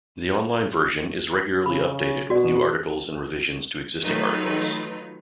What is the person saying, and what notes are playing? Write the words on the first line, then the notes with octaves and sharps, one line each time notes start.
The online version is regularly updated with new articles and revisions to existing articles.
C#3 B5
B2 F#4 D5
D#3 F#3 A3 D#4 F4 B4